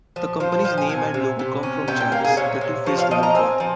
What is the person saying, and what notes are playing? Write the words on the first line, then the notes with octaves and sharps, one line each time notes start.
The company's name and logo come from Janus, the two-faced Roman god.
F3
F3 C5
C5
F3 G5
G#5
C3 G#5
C3
C3
C#4
C3 G5
G5
A#3 F5
G#4
C3 C#5
C3
F3 C#5
F5
F3 D#5
A#5
C4 G#5
F3